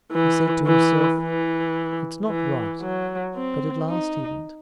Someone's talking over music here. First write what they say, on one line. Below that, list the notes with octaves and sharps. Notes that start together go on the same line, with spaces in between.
He said to himself: "It's not right." But at last he went.
E3
E3
E3
E3
F#3
C4
D#4